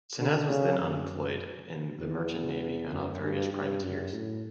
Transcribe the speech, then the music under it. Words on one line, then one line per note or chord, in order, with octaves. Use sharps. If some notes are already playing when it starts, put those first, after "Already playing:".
Senez was then employed in the merchant navy and on various privateers.
D3
C#3
F#2
E2
F#2
G2
G2
F#2
A2